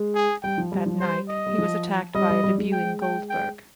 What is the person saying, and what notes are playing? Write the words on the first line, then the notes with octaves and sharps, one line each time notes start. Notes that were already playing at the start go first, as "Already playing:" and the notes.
That night, he was attacked by a debuting Goldberg.
Already playing: G#3
G#4
G3 G5
F3
G3
F3
G3 C5
D#5
G3
F3
G3 D#5
G3
G3
G#3
G5
G5
G5